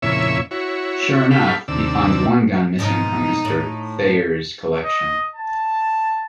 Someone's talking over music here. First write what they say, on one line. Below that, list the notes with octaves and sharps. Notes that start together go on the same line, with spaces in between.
Sure enough, he finds one gun missing from Mr. Thayer's collection.
F2 A#2 C#3 E4 C#5 E5
E4 F#4 C#5
G4 A4 F5 B5
D#2 C3 D4 E6
G#2 B2 F3 D#4
A2
D#5
A5